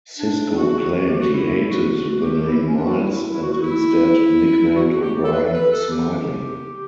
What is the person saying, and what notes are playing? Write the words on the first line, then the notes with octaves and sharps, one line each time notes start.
Sisko claimed he hated the name Miles, and instead nicknamed O'Brien "Smiley".
D4
F#4
F#4
G4
F#4
E4
F#4
F#4
G4
G4
E4
E4
C#4
D4
F#4
E4
E4
E4
F#4
F#4
E4
F#4
F#4
G4
A4
B4
A4
B4
A4
G4